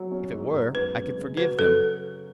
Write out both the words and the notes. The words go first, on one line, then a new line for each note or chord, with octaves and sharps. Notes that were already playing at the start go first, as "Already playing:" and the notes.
If it were, I could forgive them.
Already playing: F#3
C#4
G#2
G#2
F#2 B4
F#2
C#3
F#4 B4
F#3 A4